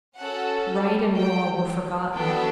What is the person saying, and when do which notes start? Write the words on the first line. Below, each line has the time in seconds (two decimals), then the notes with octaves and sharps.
Right and wrong were forgotten.
0.18 C#4 F#4 A4 F#5
1.16 G5
2.15 B3 D4 F#4 A4 G5